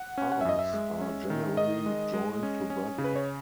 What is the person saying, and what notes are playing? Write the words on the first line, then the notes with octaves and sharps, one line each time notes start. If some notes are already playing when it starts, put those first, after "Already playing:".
Arms are generally joined to body.
Already playing: F#5
C#4
F#5
E5
F#2 D#5
E5
G#3
C#4
D#3
D#3 D#5
G#3
G#3
C#4
C#4
C#3
B4
C#5